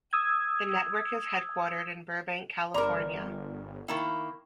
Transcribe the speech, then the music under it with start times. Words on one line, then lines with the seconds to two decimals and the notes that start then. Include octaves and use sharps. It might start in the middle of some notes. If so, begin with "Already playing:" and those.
The network is headquartered in Burbank, California.
0.13 D#6 E6 G#6
2.74 G1 A#4 D5 A#5 C6 D6
3.88 D#3 A#3 E4 G5 A#5 C#6